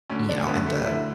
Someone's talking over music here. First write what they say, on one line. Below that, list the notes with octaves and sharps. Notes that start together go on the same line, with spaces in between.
you know, in the
D2 D3 C#4
D4
D2 D3 B3
C#4
A3
G3
D2 D3 E4